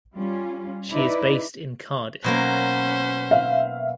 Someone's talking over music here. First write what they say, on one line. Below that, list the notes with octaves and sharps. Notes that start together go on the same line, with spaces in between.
She is based in Cardiff.
G3 C#4 F4
D#4 E4 B4 D5
B2 F#3 A#3 C#4 C5
E5 F5